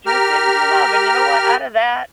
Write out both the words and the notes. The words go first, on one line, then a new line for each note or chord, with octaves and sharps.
do things you love and you know what, out of that.
G4 A#4 F6